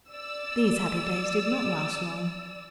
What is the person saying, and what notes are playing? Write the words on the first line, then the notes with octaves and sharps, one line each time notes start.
These happy days did not last long.
D5 E6